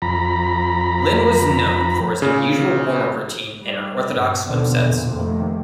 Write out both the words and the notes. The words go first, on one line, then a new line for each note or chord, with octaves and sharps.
Linn was known for his unusual warm-up routine and unorthodox swim sets.
F2 A#5 B5
A#2 C#3
G3
G2 A#2
D#2 B2 D3 F3 C4
E2 A#2
F1 C3 D#3 A3 A#3